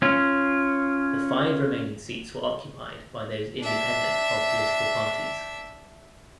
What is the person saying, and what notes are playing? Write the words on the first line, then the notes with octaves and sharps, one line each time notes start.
The five remaining seats were occupied by those independent of political parties.
C#4 F4
D4 E5